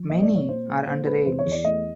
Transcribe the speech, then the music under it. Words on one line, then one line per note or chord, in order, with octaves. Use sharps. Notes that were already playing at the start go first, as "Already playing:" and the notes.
Many are underage.
Already playing: F3
A#2 D#5
D5
A#2
C#5
A#2 C5
G#3
A#2 C5
G#3 B4
E2 C5
C#5
E2
D5
A3 D#5